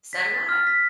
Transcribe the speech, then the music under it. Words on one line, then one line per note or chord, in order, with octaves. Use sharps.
So do I.
B6
A6
F6
B6